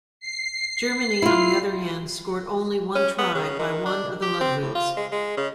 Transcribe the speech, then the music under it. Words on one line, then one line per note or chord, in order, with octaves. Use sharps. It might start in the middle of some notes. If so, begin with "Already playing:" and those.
Germany, on the other hand, scored only one try, by one of the Ludwigs.
C7
E4 F4
C#4
B3
C#3
D#3
D4
G4
C4
A2
F4
G#3
G#3
C#3